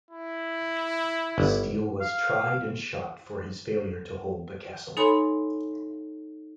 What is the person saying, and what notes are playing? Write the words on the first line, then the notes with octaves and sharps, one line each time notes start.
Steele was tried and shot for his failure to hold the castle.
E4
G1
F5
D#4 A4 C#5 G#5 B5 C6